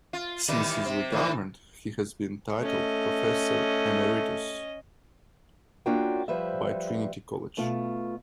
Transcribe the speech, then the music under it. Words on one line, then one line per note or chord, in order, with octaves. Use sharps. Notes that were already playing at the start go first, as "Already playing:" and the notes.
Since his retirement he has been titled "Professor Emeritus" by Trinity College.
F4
D#3 E3 G3
C3 C4
A2 E3 D#4
A3 C#4 D#5
A#3 C#4 D4 F4 F#4 G5
F3 G3 B4 C5 E5
B2 A3 F4